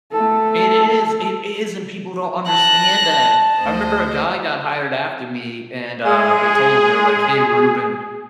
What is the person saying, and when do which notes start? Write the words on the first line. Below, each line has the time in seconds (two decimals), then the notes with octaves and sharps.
It is! It is, and people don't understand that. I remember a guy got hired after me, and, uh, they told him, they were like, "Hey, Ruben"
0.12 A3 A4
2.48 A5 F#6 A#6
3.61 D2 C5 D#5
6.04 G#3 G#4